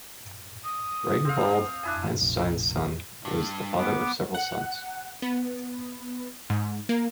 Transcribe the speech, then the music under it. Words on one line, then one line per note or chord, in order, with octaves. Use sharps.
Ragnvald Eysteinsson was the father of several sons.
D#6
C4 F5
D4 E4 G#5
F1 A#1
G2
B3 D6
F#5
B3
G#2
A#3